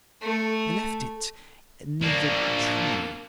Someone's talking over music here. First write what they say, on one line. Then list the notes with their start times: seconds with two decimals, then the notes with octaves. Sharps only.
"I left it near the tree."
0.22 A3
2.02 A#3 D4